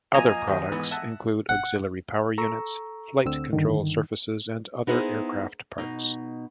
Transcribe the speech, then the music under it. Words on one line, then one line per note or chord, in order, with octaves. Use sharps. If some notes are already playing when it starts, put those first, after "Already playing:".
Other products include auxiliary power units, flight control surfaces, and other aircraft parts.
F3 A#3 D#5 G#5 A#5
D#2 C4 G4
G#2 E3 B3
E5 F#5 A5
F#5
A4 A#5 C#6 E6
D2 D3 C4 E6
G2 D3 D#3
B3 D#4 E4 G#4 C5
B2 D#4